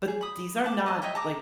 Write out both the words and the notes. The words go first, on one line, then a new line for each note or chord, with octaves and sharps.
but these are not, like"
G#4
B5 D#6
F#5 A5 D6
D#5 A5
C#5 D#5 E5 G5
A5 A#5 D6